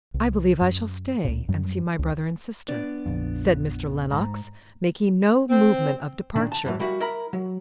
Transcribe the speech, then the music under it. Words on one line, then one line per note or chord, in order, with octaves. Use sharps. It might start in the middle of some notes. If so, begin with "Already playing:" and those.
'I believe I shall stay and see my brother and sister,' said Mr. Lennox, making no movement of departure.
C2
F#2
C#2 A#2
F#2 F#3 G3
C#2
B3 D4 D5
A#1 F2
G#2 A#5
C4
A#2 D#3 D4
A5
F#2 E3 F#3
G3 A#3 E4 F#4
E4 A#4 A#5 B5
F#3